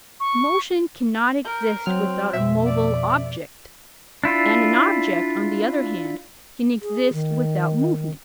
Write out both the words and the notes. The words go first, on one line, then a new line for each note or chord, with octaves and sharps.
Motion cannot exist without a mobile object; and an object, on the other hand, can exist without movement.
C#6
A#4 G6
F#3 C4 F6
F2 B2 E5
D5
D4 E4 F4
G#4
D#3